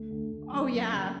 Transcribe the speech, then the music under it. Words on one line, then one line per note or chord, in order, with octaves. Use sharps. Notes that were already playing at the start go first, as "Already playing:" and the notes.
Oh yeah,
Already playing: D2 A3
D2
D2
F#3
F#3 A#3
C#3